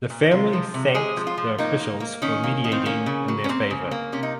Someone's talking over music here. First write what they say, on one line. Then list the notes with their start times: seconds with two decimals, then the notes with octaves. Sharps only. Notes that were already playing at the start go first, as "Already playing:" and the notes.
The family thanked the officials for mediating in their favor.
0.10 A#2
0.31 C3 F4
0.53 F3
0.74 C3
0.94 G#3 G#4
1.17 F3
1.27 F4
1.37 F3
1.58 A#3 D#4
1.80 A#3
2.00 A#3
2.22 D#3 C#4
2.43 A#3
2.64 D#3
2.72 C4
2.86 A#3 C#4
3.06 C#3
3.28 F#3
3.44 C#4
3.49 A#3 C4
3.70 C#3
3.91 A#3
4.12 C3 C#4
4.23 D#4